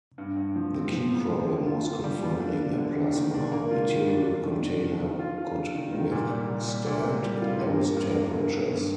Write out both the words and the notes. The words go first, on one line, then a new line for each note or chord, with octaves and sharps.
The key problem was "confining" a plasma; material container could withstand those temperatures.
G2
G2
F3
C4
F3
F3
F3
D3
F4
F4
G3
F4
D4
D4
D3
D4
D#3
D4
A#3
F4
D#3
D4
D4
D#3
D4
D#3
D#3
F4
F4
D4
D#3
D#3
A#2
G3
A#2
G3
A#2
C4
G3
F4
G2
A#3
G2
A#3
G2
D#3
G2